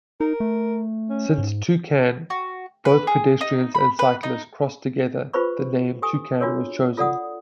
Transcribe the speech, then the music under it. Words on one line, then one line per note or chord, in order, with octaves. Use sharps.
Since "two-can", both pedestrians and cyclists, cross together, the name "toucan" was chosen.
D#4 A#4
A3
C#4
G#2
F#4
B4
G#4
D#4
B5
B4
D#4
F4 G#4 B4 C5 B5 C#6
G4 A4 G#5 D#6
D4 F4 F#4 G#4 A#4 C#5
F4 A4 D5 F#5 D#6